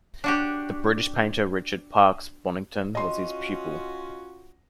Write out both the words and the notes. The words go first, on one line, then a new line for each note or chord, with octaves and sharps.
The British painter Richard Parkes Bonington was his pupil.
D4 F#4 G4
C#4 F4 F#4 D#5 C6